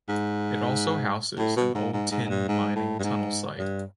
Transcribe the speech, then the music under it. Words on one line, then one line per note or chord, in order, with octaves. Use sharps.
It also houses an old tin mining tunnel site.
G#2
A2
B2
G#2
G#2
G#2
G#2
G2
G#2
A2
G2
G#2
G2